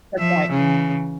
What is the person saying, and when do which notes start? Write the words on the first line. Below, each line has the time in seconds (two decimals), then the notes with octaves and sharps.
That's right.
0.19 F3 E5
0.51 C#3 E3